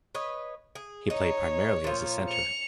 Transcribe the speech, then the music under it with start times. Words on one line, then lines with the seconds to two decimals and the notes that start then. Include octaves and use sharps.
He played primarily as a centre.
0.15 B4 C#5 D#5
0.75 G#4
1.10 D#4 C#5
1.84 A#2 F3
2.29 C#7 F7